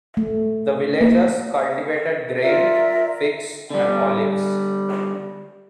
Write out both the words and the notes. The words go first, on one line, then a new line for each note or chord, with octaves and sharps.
The villagers cultivated grain, figs, and olives.
A3
A#3
F4 A#4 D5 E5
D3 G3